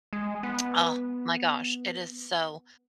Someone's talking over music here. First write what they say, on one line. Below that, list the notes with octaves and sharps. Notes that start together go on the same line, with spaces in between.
Oh my gosh, it is so,
G#3
B3